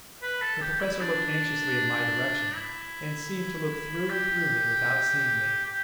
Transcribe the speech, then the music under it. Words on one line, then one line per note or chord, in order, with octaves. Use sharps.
The Professor looked anxiously in my direction, and seemed to look through and through me without seeing me.
B4
A4
G4
E4
D4
E4
G4
G4